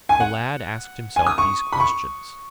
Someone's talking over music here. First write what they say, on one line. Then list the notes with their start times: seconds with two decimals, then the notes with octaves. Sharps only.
The lad asked himself these questions.
0.09 G#5
0.20 F#5
1.16 G#5
1.27 D#6
1.38 C#6
1.73 B5
1.80 C#6